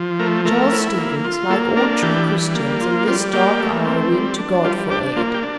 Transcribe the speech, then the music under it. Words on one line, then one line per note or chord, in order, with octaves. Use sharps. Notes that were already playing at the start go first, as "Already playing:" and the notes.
Charles Stevens, like all true Christians, in this dark hour went to God for aid.
Already playing: F3
A3 A#4
A3 A#4
E4
A#3
F4
A#3 A4
D4 A#4
E3 G4
G3
A#3
F4
G3 F4
A#3 G4
A3
C4
G3
D4
G3 F4
D4 G4
A#3 F4
G4
D4